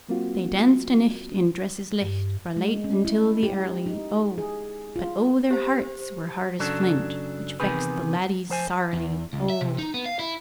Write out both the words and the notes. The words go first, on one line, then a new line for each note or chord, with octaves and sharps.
They danced a' nicht in dresses licht Fra' late until the early, O! But O, their hearts were hard as flint, Which vexed the laddies sairly, O!
F#3 A#3 C4 F4 F#4
G2
G#3
C#4
E4
G4
D#4
G#4
F4
G4 C5
F#2 C#3 F#3 D4 A4
E2 C3 D#3 G#4 B4
F3 C5 G#5
E2
C#2
E5
C3
D#4
B3
F5
E4